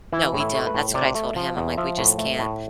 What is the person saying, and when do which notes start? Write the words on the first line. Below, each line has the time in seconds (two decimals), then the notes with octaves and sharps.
No, we don't. That's what I told him. I'm like, "We just can't
0.13 E3 E4
0.34 A2
0.40 E4
0.54 A3
0.67 B4
0.74 A2
0.94 C3 D5
1.15 A3
1.36 F3
1.57 E2
1.77 F3 E5
1.98 A2
2.18 A3
2.39 A2